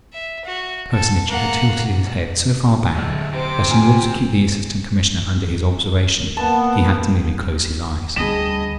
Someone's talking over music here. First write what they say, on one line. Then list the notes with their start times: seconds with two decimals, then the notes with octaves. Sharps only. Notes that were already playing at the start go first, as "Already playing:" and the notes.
The Personage had tilted his head so far back that, in order to keep the Assistant Commissioner under his observation, he had to nearly close his eyes.
0.13 E5
0.45 F#4
0.93 A4
1.28 A#3 F#5
2.95 D3 E3 F#3 G#3 A3
3.33 C3 C4 C5 D6
3.70 A#3 F4 G#5
6.37 A#3 B3 A5
8.16 D2 D3 G3 G#4 D#5 A5 B5 E7